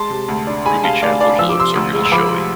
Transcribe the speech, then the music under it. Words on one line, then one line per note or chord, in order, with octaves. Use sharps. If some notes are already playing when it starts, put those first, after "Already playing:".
Ruby Chandler’s looks are real showy.
Already playing: G#3 A5 C6
C3
D2
D4
G#3 G#5 B5
C3 F5 A5
D2 D5 F5
D4 D5 F5
F3 E6
D6
C3 C6 E6
D2
G#3
E6
F3 B5 D6
C3